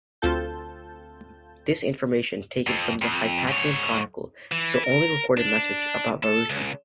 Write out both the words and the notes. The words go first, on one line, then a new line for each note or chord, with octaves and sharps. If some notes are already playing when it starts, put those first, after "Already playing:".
This information, taken from the Hypatian Chronicle, is the only recorded message about Voruta.
D2 C4 F4 A4 A5 G6
F2
F2
G#2 C#5
E3
A#4
D4
A4
C#2